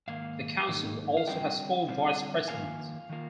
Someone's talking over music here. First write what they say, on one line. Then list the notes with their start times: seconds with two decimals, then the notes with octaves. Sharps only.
The council also has four vice presidents.
0.08 G#2 D#3 A#3 F5
0.68 G#2 D#3 A#3 D#4
1.17 F5
1.27 D3 G3 C4 F4 D#5 G5
1.88 D3 G3 C4 F4
2.48 F2 D#3 A#3 F4 F5 G#5
3.10 D#3 A#3 F4